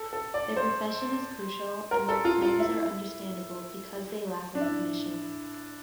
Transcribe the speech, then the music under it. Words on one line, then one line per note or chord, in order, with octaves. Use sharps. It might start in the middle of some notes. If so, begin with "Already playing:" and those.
Their profession is crucial and their claims are understandable because they lack recognition.
Already playing: A4
A4
D5
C5
A#4
A4
F4
F4
E4
E4
D4
E4